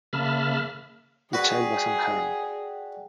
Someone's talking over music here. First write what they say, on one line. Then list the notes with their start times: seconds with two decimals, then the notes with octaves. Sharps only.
The child was unharmed.
0.13 C#3 A#3 E5 A5 B5 F6
1.33 F#4 G#4 B4 D5 F#5 G5